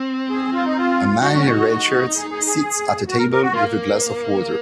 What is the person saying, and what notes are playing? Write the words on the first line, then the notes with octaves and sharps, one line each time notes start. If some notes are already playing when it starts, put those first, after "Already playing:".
A man in a red shirt sits at a table with a glass of water.
Already playing: C4
G#4
F4
D#4
F4
D#4 F#4
C#4
D#4
G#4
G#4
G#4
F#4
A#4
A#4
F#4
A#3 F4